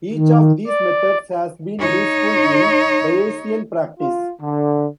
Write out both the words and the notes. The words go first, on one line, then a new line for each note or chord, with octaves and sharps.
Each of these methods has been useful in Bayesian practice.
D#3
D5
D#4 C#5
F4
D3